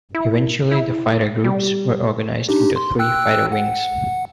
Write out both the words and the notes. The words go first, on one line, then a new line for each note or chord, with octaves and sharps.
Eventually the fighter groups were organized into three Fighter Wings.
E4
E4
G3
D4 D#4 G4
C6
G5 E6 F#6
F#5